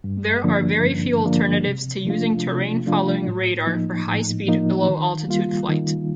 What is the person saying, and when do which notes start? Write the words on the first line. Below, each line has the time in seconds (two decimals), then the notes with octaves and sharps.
There are very few alternatives to using terrain-following radar for high-speed, low altitude flight.
0.04 G2
0.44 D3 F3 A#3 D4
0.85 G2
1.25 D3 F3 A#3 D4
1.66 C3
2.05 F3 A3 D4 F4
2.46 C3
2.86 F3 A3 D4 F4
3.27 A2
3.67 F3 A#3 D#4
4.07 A2
4.48 F3 A#3 D#4
4.88 D#3
5.28 G3 A#3 F4
5.68 D#3